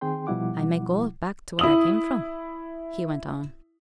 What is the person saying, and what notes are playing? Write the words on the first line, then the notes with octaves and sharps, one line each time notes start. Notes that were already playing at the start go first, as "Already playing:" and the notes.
'I may go back to where I came from,' he went on.
D#3 C4 G#4 G5 C6
B2 F3 G3 E4 F#5 D6
E4 D#6 F#7